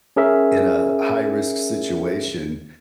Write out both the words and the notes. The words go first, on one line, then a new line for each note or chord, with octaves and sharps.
in a high risk situation
C#4 G#4 A#4 E5